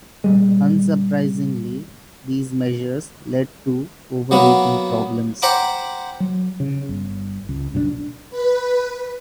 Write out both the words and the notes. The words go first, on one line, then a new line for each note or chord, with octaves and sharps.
Unsurprisingly, these measures led to overheating problems.
A#2 G3 G#3
F#3 A#3 B3
C5 F#5 G5 A#5 B5 D6
F#3
C#3
G1
C#2
F#1 B1 C3 D4
B4